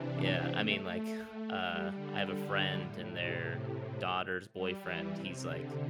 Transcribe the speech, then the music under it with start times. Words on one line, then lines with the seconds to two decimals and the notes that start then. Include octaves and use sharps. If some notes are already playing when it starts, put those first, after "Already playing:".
Yeah, I mean, like, uh, I have a friend and their daughter's boyfriend, he's, like,
Already playing: C3 E3 D4
0.21 C4
0.50 A3
0.80 A3
1.08 A3
1.65 G3
1.95 D3
2.81 A2
3.10 C3
4.53 G3
4.82 E3
5.11 C3
5.40 D3